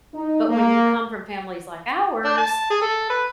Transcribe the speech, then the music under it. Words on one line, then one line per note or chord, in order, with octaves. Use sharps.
but when you come from families like ours
D#4
A#3
D4
A5
G#4
A4
B4